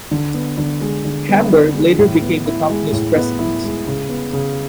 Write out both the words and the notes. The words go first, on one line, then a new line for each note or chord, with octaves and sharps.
Hamber later became the company's President.
D3
B3
D3
G#3
D3
B3
D3
G#3
A2
B3
E4
G#3
A2
B3
E4
G#3
C#3
B3
C#3